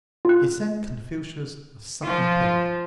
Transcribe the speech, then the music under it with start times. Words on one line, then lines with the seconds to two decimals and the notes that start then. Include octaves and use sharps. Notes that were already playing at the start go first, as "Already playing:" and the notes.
He sent Confucius a sucking pig.
0.25 F4 F#6
2.03 F3 F4